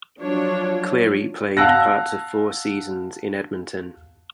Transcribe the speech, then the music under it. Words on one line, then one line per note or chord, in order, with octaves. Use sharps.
Cleary played parts of four seasons in Edmonton.
F3 F#3 D4 F4 C#5
F5 F#5 A5 E6 F#6 A#6